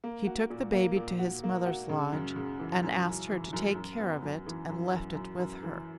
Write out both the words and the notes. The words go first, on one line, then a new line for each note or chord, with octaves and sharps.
He took the baby to his mother's lodge and asked her to take care of it and left it with her.
A#3
F#4
A#2
A#3
A#2
F#4
A#3
F#4
C#3
F#2
C#3
E3
F#2
F#2
E3
F#2
F#2
B3
F#2
E3
F#2
F#2
F#2
F#2
E3